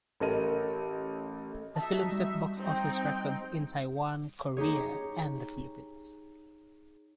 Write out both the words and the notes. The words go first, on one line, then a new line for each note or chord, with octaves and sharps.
The film set box-office records in Taiwan, Korea, and the Philippines.
A1 A4 A#4 D#5 D#7
D#4 F#4 E5 A5
G3
C4 D#4 G5
D#4 G4 G#4 C#5